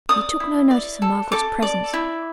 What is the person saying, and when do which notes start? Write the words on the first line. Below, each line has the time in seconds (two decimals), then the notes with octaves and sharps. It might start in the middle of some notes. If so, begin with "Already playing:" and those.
He took no notice of Margaret's presence.
0.09 D5 D#6
0.40 E4
0.71 D5
1.02 A4
1.32 A4 D6
1.62 D5
1.93 E4